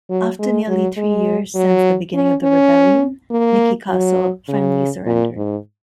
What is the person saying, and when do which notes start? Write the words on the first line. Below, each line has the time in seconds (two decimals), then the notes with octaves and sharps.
After nearly three years since the beginning of the rebellion, Miki castle finally surrendered.
0.10 F#3
0.39 G#3
0.68 F#3
0.97 G#3
1.55 F#3
2.14 C#4
2.43 C#4
3.31 A#3
3.89 F#3
4.48 C#3
5.06 A#2
5.36 G#2